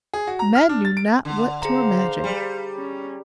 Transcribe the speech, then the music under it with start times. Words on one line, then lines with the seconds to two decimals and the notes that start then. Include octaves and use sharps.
Men knew not what to imagine.
0.13 G#4
0.27 F#4
0.39 A#5
0.55 F6
0.69 D4
0.85 A6
0.97 D7
1.25 D3
1.62 G#4 C5 F5 A#5
2.24 G3
2.76 C#4